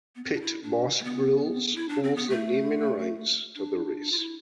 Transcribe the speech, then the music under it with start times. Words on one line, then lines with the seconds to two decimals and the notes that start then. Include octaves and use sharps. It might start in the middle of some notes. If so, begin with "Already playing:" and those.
Pit Boss Grills holds the naming rights to the race.
0.16 B3
0.24 C4
0.33 D4
0.42 E4
0.62 D4
1.00 A3
1.04 B3
1.76 E4
1.89 D4
2.03 C4
2.16 B3
2.30 A3
3.55 D4
4.12 F4
4.18 E4